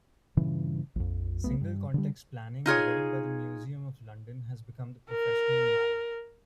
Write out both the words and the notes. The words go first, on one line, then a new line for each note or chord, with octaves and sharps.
Single context planning developed by the Museum of London has become the professional norm.
G2 A#2 C#3 E3
A#1 F2
B1 A3 B3
G2
D3 G3
D#4 F4 G#4 C#5
A#4